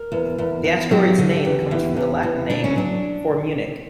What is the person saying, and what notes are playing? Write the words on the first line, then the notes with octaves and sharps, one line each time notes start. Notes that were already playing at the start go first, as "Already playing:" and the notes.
The asteroid's name comes from the Latin name for Munich.
Already playing: A#4
E2
E2
E2
F#3 G4
D3
E2
E2
E2
E2
D2 D4
C#4
F#3 D4